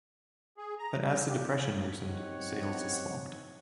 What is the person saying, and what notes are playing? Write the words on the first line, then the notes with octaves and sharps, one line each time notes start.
But as the Depression worsened, sales slumped.
G#4
A#5
G3
G4
F#2 C4 D#4 G4 C#5 F#5